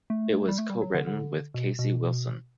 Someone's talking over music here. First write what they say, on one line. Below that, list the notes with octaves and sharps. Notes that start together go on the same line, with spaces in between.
It was co-written with Kasey Wilson.
A3
G3
A3
G3
F#3
D3
D3
B2
B2